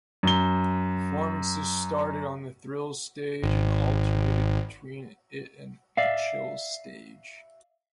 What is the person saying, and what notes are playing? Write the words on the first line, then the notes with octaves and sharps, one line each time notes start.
Performances started on the Thrills stage and alternated between it and the Chills stage.
F#2 G7
G#1
D5 E5 F5